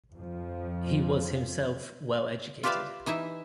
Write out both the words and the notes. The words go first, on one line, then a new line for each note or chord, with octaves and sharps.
He was himself well-educated.
F2 F3
F4 G4 B4 D5 E5 F5
E3 D#4 E4 E5